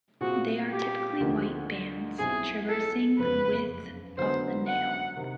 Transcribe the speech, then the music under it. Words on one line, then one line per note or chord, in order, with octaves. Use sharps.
They are typically white bands traversing the width of the nail.
A#2 G3 C4 F4 F#4 G#4
G4
D2 D3 F3 A#3 D#4
B1 B2 G3 C4 E4 G#4
A4
F#1 F2 C#3 B4
D3 F#3 B3 C5
F#5
C3 D#3